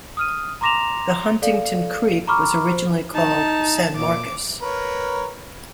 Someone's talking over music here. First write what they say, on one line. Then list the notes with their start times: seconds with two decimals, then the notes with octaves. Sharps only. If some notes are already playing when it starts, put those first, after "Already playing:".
The Huntington Creek was originally called San Marcus.
0.17 D#6 F6 D#7
0.61 A#5 C6 D6 A#6 E7 F7
1.42 A4 D5 F5
2.27 A#5 B5 C#6 D6 F6
2.71 C5
3.15 D#4 A5
3.96 A#2 D6
4.61 A#4 B4 C#5